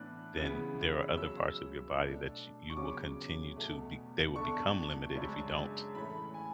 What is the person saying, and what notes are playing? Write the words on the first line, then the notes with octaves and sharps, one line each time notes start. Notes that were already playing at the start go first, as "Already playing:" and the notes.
then there are other parts of your body that ch you will continue to be they will become limited if you don't
Already playing: A2 E3 B3 D4 F#6
C#3 E3 B3
C#3 F#3 C#4 E6
B2 A3 D4
C#6
E2 C#3 F#3 C#4 D6
E2 B2 A3
E2 D3 A3 D4 C#6
F#2 C#3 G#3 D4
A2 E3 A3 C#4 B5
G#5